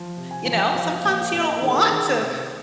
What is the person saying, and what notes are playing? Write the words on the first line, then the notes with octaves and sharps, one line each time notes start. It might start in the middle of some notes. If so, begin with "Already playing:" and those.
you know, sometimes you don't want to
Already playing: F3
C3
G#5
F3
F3 F5
F5
A#2
F5
A#2
D#5
D#3 G#4
A#4
G#4
D#3
C3